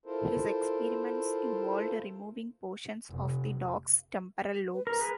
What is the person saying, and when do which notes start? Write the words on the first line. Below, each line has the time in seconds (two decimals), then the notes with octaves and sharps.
His experiments involved removing portions of the dogs' temporal lobes.
0.06 E4 F4 A4 A#4 C5
3.09 F1
4.74 B4
4.87 A#4 A#5
4.99 G#4 B4